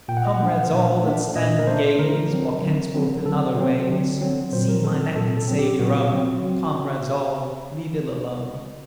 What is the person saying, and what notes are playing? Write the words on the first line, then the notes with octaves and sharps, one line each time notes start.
"Comrades all, that stand and gaze, Walk henceforth in other ways; See my neck and save your own: Comrades all, leave ill alone."
A#2 G5
F#5
D#5
F#5
A3 D4
A#2
A3 D4
A#2 D#5
A#4
A3 D4 C5
D3 A#4
F#3 C4
D3
F#3 C4
D3 A4
F#3 C4
D3
F#3 C4
A#2 C5
A#4
F#3 C4 A4
A4
A#2 A4
A4
F#3 C4
G4
A#2 F#4
F#3 C4